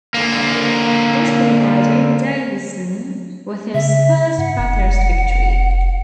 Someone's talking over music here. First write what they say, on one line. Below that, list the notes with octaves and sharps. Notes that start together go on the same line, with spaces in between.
This provided Davison with his first Bathurst victory.
D3 A#3
C#3 E5
G2 F#5
F1
F1